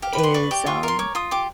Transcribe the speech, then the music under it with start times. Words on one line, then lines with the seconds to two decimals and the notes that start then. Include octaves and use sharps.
is, um,
0.02 G4 F5
0.13 B5
0.18 B4
0.23 C6
0.34 D5 C#6
0.51 G4
0.66 F4 C#6
0.83 A#4 C6
0.99 C#5 D6
1.15 F4 D#6
1.31 G4 D6